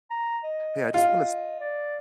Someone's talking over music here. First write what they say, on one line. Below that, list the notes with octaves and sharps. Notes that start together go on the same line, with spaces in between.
Hey, I just wanna s
A#5
D#5
F4 D#5
D5